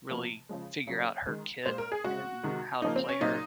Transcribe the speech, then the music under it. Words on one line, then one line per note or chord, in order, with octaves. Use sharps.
really figure out her kit and how to play her.
C3 F3 A#3
C#3 F3 G#3
C#3 F#3 A#3
D#3 G#3
A#2 G#3 C5
A#4
G#4
C#3 G#3 F#4
C3 D#3 G#3
C#3 F3 A#3 D#4
C4
C#4
A#2 F#3 A#3 D#4